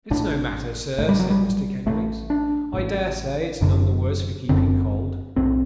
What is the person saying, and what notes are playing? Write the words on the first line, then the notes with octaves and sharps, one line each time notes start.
'It's no matter, sir,' said Mr Kenwigs. 'I dare say it's none the worse for keeping cold.
A1 A2 D4
A1 A2 A3
G3
F#3
G3
A1 A2 A3
D4
A1 A2
F#1 F#2 D3
F#1 F#2 D3 C4
B1 A2 C4